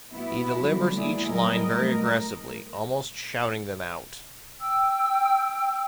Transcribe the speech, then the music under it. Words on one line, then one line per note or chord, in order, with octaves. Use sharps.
He delivers each line very aggressively, almost shouting them out.
B3 E4 F#4
D3 F#3 G3
G#3 A#3 B3 E4 G#4 D5
F#3 G3 B3 A#4 D#5
A3 A#4
G5 E6